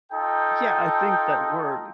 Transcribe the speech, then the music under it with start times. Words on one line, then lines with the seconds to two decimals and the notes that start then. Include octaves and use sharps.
yeah. I think that we're
0.12 D#4 F4 A4 G5